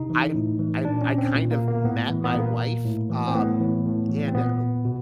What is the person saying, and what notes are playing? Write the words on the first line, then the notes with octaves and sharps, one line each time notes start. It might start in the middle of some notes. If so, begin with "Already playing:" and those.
I'm um, I I kind of met my wife, um, and, um
Already playing: C3 D#4
E3
A2
E3
A#2 D4
C#4
C4
A#2
A#3
A#3
A2 B3
E3
B3
A#2 A#3
A2
E3
C4
A2 B3
E3
A2
E3
C4
A#2 B3
B2